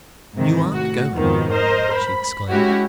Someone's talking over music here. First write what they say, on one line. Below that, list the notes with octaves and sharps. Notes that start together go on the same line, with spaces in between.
"You aren't going?" she exclaimed.
G#2 C3 D#3
A2 F#4
F2 G#2 B2 D#3 F3
A#4 C5 D#5
B5
G#3 C#4 E4 F#4 G4